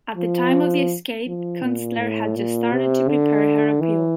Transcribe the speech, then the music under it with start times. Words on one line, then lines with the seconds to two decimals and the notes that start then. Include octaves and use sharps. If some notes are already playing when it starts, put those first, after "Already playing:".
At the time of the escape, Kunstler had just started to prepare her appeal.
0.17 F3
1.27 F3
1.63 A#2
1.99 A2
2.36 A#2
2.72 C3
3.09 D3
3.81 E3